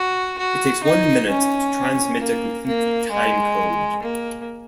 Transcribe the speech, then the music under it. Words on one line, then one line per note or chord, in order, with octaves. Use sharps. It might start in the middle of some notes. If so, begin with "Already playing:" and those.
It takes one minute to transmit a complete time code.
Already playing: F#4
F#4
D#4
C#4
A#3
A#3
G#3
A#3